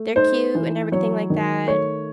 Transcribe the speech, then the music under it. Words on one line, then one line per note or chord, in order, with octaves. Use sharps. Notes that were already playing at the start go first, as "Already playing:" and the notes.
They're cute and everything like that.
Already playing: A3
D#4 C5
E3
F#3 C#5
D#3
A3 C#5